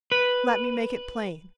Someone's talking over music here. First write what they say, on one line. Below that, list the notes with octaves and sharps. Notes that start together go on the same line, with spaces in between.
Let me make it plain.
B4